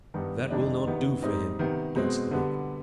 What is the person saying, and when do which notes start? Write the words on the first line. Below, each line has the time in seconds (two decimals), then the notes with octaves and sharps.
"That will not do for him," answered the monk.
0.14 G2 D#3 B3 D#4
0.50 F2 C3 D#3 G#3 D4
0.86 C3 D#3 B3
1.22 G#2 G3 C4 D#4
1.59 C3 D#3 B3
1.96 B2 G#3 C4
2.31 D3 G3 B3